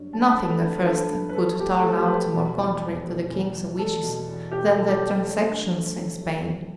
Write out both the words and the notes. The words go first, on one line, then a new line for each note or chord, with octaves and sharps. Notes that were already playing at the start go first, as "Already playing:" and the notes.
Nothing at first could turn out more contrary to the king's wishes than the transactions in Spain.
Already playing: G2 F#3
F#3 A5
B5
A5
A3
A4
B4
G2
B4
G2 A4
G2
B4
G2 A4
A3 G4
A4
A3
G4
F#3 B4
A4
B2
E2
E2
B2
E2
E2
E2 A4
B2
E2
B2 G4
A4
B2
G4
E2
A4
F#3 A4
D4
A3
F#3
F#3
F#3